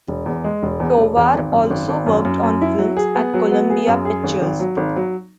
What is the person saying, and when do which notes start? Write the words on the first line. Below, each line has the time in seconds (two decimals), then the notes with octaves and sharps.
Tovar also worked on films at Columbia Pictures.
0.08 E1
0.26 E2
0.44 G#3
0.63 E1
0.80 E2
0.98 E1
1.17 E2
1.34 G#1
1.52 F#2
1.70 G#1
1.89 G#1
2.06 F#2
2.25 F#2
2.43 F#2
2.61 E4
2.79 F#3
2.97 G#4
3.15 B3
3.34 F#3
3.51 B3
3.70 G#4
3.87 F#2
4.05 G#4
4.24 G#1
4.42 G#1
4.60 F#3
4.77 G#1
4.96 F#3